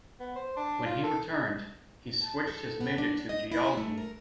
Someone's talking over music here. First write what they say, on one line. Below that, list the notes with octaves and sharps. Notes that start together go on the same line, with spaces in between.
When he returned, he switched his major to geology.
B3
C5
D4
F4
A4
A5
A4
B3
D4
D#5
E4
A3
A#4